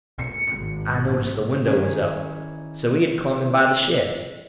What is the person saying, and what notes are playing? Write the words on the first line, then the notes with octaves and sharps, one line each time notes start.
I noticed the window was up; so he had clumb in by the shed.
C#7
G#1
A#1
D#3 E3 C#4 G#4 D5